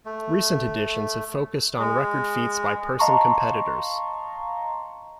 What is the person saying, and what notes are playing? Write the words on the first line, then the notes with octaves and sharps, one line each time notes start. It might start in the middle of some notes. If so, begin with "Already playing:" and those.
Recent editions have focused on record feats by person competitors.
A3
G#3
D#5 F5 A5 A#5 C6 C#6